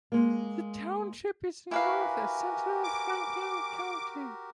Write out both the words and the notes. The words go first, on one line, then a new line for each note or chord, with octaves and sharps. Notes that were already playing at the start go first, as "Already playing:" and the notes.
The township is in north-central Franklin County.
G#3 A#3
E4 F#4 G4 A#4 B4 F5 G#5
D6